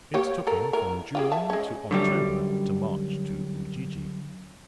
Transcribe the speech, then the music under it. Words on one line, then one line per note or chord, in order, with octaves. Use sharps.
It took him from June to October to march to Ujiji.
A#3 G4 C#5
A4 A#4
E3 A#4
F4 G4 G#4
E5 A5
G#3 C#4
F#2 D3 G3